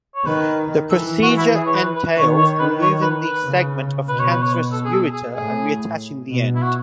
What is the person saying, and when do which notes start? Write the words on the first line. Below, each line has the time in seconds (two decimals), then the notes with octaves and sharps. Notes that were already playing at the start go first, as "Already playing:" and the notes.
The procedure entails removing the segment of cancerous ureter and reattaching the end.
0.15 C#5
0.26 D#3 B4
0.90 E3 A4
1.23 F#4
1.38 E4
1.54 G#4
1.66 C#5
1.75 B4
1.96 B4
2.17 D#3 C#5
2.38 C#5
2.59 B4
2.81 C#5
3.02 B4
3.24 B4
3.44 C#3
4.08 B2 B4
4.20 C#5
4.31 B4
4.42 C#5
4.54 B4
4.72 A4
4.85 G#4
4.93 A4
5.13 G#4
5.35 A2 G#4
6.31 B2
6.55 E4
6.62 F#4